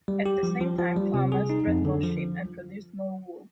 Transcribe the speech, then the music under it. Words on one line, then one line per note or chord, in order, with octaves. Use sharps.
At the same time farmers bred more sheep and produced more wool.
G3
G4
F3
F3
F3
G3
C3
G#4
D#4
F2
D3
F3